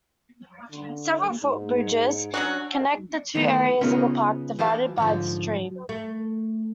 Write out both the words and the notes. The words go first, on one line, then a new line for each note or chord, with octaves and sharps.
Several foot bridges connect the two areas of the park divided by the stream.
D3
G#2
F#3 C#4 D4 F#4
D#3 E3 A3 B3
C#3 B3 C#4 D#4 F4 A#4
E3 G4 F5 A5
G#2 D3 F3
A3